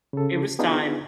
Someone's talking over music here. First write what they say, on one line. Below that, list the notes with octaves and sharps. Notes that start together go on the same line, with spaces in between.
it was time.
C#3 A4
B3 D4 D#4 F4 G#4 B4